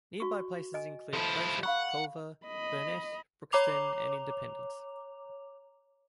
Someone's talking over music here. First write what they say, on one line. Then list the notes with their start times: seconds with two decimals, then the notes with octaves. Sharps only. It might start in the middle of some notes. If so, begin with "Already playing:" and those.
Nearby places include Prosit, Culver, Burnett, Brookston, and Independence.
0.20 F#4 C#6
0.74 D#5 G#5
1.13 F3 E4 A4 A5
1.63 F5 F#5 B5 C#6
2.46 D#5 B5
3.52 C#5 A#5 D6 F7